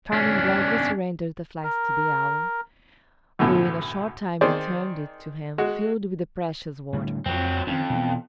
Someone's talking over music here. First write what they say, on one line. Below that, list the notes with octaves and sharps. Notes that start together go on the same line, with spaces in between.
Charming gladly surrendered the flask to the owl, who in a short time returned it to him filled with the precious water.
C#4 D4
A#4
B1 F#2 A2 D3
D#3 C4 G#4 C5 D5
G#3 F#4
A2 D3 G3
F2 F3 F#3 C4
F2 D#3 C4 C#4
B2 E3 B3